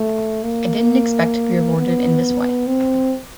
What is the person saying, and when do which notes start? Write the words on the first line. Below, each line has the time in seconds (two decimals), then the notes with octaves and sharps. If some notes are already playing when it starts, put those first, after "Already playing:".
I didn’t expect to be rewarded in this way.
Already playing: A3
0.44 A#3
1.76 B3
2.67 C4